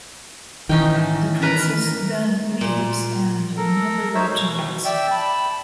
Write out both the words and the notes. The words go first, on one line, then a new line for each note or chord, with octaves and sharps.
The princess then leaves and never returns.
D#3 E3 C#4 D#4 G5
A2
A#4 B4 A#5
A#2
A4 A#4
D#4 C5 C#5 E5
B2
D5 E5 G5 E6
A5 B5